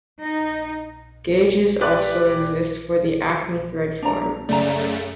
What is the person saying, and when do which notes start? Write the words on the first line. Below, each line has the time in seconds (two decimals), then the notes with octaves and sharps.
Gauges also exist for the Acme thread form.
0.21 D#4
1.81 G4 B4 D5 D6 F#6
4.02 D4 A#5
4.49 F#2 C#3 A3 D5 A#5